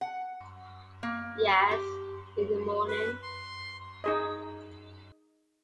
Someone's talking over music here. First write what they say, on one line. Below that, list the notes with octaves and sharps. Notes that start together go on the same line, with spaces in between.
Yes, in the morning.
F#5
A#3
G4
B4
C6
D#4 G#4 D#5